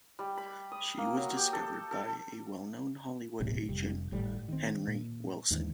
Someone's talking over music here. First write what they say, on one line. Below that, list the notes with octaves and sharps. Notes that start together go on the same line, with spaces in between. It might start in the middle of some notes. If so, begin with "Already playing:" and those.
She was discovered by the well-known Hollywood agent Henry Willson.
G3
B5
D#6
A#3
F#3
G4
A4
A4
D1 B1 A2 C3
F1 G3
G#1 A2 G3
D#3 C4
A#2
D#2 G#2 D3 E3